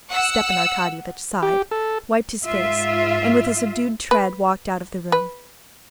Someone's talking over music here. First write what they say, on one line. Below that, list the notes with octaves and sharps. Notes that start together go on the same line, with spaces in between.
Stepan Arkadyevitch sighed, wiped his face, and with a subdued tread walked out of the room.
F#5 E6
G4
A4
G#2 F4 E5
B4
B4